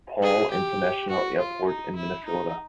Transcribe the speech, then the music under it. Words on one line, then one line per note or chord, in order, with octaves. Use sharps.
Paul International Airport in Minnesota.
G#4
G4
F#4
F4
D#4
E4
D#4